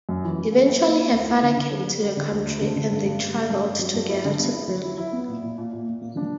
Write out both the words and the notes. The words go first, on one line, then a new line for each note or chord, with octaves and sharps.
Eventually her father came to the country and they traveled together to Berlin.
F#2
E3
F#2
A#3
E4
A#3
E4
D2
E4
D3
D3
G3
G3
G3
D3
D2
D2
D3
D3
G2
G2
G2
G2
G2
G2
F#3
G2
E4
D3
B3
E4
F#3
E4
E4
B3
A#2
A#2
A#2
A#2
A#2
A#3
D4